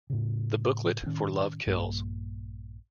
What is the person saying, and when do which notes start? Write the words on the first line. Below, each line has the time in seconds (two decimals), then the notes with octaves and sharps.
The booklet for Love Kills!
0.10 A2 C#3
1.06 A2 D#3 C#4
1.66 A#1 G2 A#3